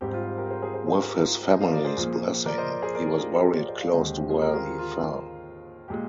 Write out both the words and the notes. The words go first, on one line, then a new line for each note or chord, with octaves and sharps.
With his family's blessing, he was buried close to where he fell.
G#2 G3 C4 G4
F4
G4
G4 A#4
G#4 C5
G#4 C5
G#4 C5
G#4 C5
G4 A#4
G4
F4
F4
C5 D#5
D5 F5
D#5
A#4 D5
G#4 C5
A#2 F3 A#3
A#4 D5
C5 D#5
A#4 D5
G#4 C5
A#4 D5
G4
F4 G#4
G4 A#4
G#4 C5
A#4 D5
C5 D#5
D5 F5
D#2 D3 G#3 C4 C5 D#5
G4
G4
F4 G#4
G4 A#4
F4 G#4
F4
F4
A#2 G#3 G4